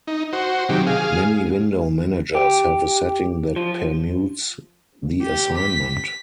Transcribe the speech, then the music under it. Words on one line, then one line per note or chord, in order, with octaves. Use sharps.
Many window managers have a setting that permutes the assignment.
D#4
F#4 C5
C3 D#3 F#3 G4
G#4 F5
G4
F3
G4
B6